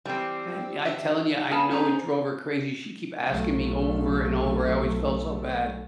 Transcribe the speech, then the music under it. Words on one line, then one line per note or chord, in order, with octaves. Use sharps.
And yeah, I'm telling you, I know it drove her crazy. She'd keep asking me over and over, I always felt so bad
E3 G3 C4
D4 E5
B3 G#4 F5 A5
C#4 D#4 G#4 C5 A#5
B1 A3